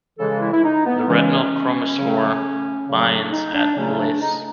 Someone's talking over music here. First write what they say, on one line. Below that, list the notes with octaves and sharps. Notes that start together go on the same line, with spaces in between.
The retinal chromophore binds at Lys.
C#3 E3 G#3 A4
E4
E4
D#4
B3
C#3 E3 G#3 C#4
C#3 F#3 A3
C#3 F#3 A3
D4
D#4
D4
C#3 F#3 A3 C#4
D4
D#4